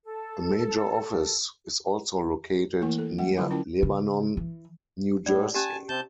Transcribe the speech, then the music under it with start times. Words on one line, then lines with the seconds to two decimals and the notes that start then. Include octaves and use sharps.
A major office is also located near Lebanon, New Jersey.
0.03 A4
2.81 E3 A3 A#3 E4 A#4
2.99 A4
3.18 G3 G#3 F#5 G5
3.37 D3 F#3 E4 F4 A5 B5
3.51 C#4 E4 F4 A#4 G5 A5
3.82 C#3
4.37 E3
5.26 A2 D5
5.55 C#4 G4 G#5 A5
5.89 C3 A5 G6